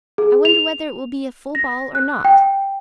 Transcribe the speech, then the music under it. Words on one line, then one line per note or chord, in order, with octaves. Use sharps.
I wonder whether it will be a full ball or not!
G#4
F7
A#6
F#6
G5